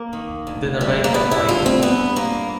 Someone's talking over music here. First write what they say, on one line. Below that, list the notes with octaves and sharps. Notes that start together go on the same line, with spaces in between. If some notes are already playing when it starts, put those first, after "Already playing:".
Then a right on Pike.
Already playing: A#3
D#3
D2
G3
A#3
G3 B3
E4
D2 F4
C4
G2 B3
G2 A#3